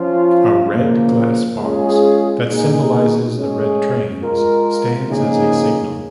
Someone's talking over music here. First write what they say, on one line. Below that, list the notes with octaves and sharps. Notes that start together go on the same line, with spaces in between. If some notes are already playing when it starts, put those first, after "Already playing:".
A red glass box, that symbolizes the red trains, stands as a "signal".
Already playing: F3 C#4 F4
C#3 F3 A#3
G#3 C#4 F4 G#4
A#2 A#3 D#4 G#4
G#3 C#4 G#4
G#3 F4 A#4
C#3 F3 A#3 D#4 G#4